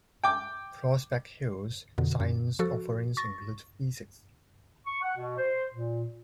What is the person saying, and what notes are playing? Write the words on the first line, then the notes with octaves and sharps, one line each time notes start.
Prospect Hill's science offerings include physics.
G5 D6
F2 B2 D3
F#2
F3 F#4 A4
C#6 A6 A#6
C#6
F#5
B2
C5
A#2